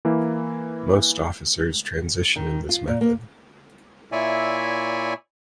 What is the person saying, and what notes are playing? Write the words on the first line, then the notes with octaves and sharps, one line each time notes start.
Most officers transition in this method.
E3 A#3 E4
D#3
F4
A#2
A#3
A#2 E4 C#5 D5 E5 G#5